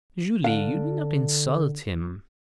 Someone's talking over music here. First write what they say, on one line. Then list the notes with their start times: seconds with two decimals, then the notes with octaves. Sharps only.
"Julie--you need not insult him."
0.44 D3 F5